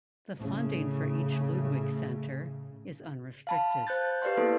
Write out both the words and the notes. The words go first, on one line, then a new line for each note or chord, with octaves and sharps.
The funding for each Ludwig Center is unrestricted.
A2 C#3
F5 A5 B5
C5 F#6 G6 A6
G4 B4 D5 F5 C6
A#3 B3 E4 A4 B4